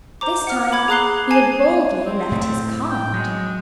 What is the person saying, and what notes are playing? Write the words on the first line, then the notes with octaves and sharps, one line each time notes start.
This time he had boldly left his card.
C5 A#5 D6
F#5 F6
B5 D6 G#6
G#4 A#5 D6 F#6 C7 G7
G#5 A5 G#6 C7 D#7
C4
A2 A3
G5
F#3 G#3